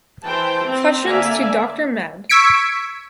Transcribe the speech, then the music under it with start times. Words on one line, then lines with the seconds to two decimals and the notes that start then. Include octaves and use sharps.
Questions to Doctor med.
0.23 E3 C5 G5 A5
0.65 C4
1.04 D3 A#3 D5 E5 G#5
2.29 C#6 E6 G#6 B6 C#7 D7